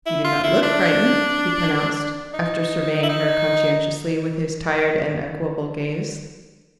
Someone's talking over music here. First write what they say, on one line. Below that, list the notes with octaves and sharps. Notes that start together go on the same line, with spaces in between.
"You do not look frightened," he pronounced, after surveying her conscientiously with his tired and equable gaze.
E4
F4
E4
D4
D#4
E4
D#4